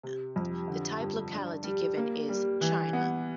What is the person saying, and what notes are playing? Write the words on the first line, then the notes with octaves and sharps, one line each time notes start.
The type locality given is "China".
C3
F2
D3
G2
D4
G3
A#3
G3
E3
B3